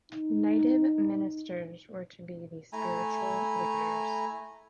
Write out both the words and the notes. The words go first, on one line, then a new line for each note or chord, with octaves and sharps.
Native ministers were to be the spiritual leaders.
D#4
A3 E4 G#5 A#5